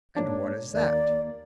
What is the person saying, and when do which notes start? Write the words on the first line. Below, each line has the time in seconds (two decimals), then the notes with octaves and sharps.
"And what is that?"
0.17 G#2 A#3 D4 C#5
0.74 D#2 A#3 D5